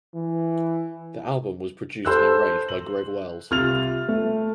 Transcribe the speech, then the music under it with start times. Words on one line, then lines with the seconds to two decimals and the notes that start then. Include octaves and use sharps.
The album was produced and arranged by Greg Wells.
0.14 E3
2.05 A4 C5 E6 F#6
2.69 F#7
3.51 C2 F4 F6 A6 F7
4.08 A3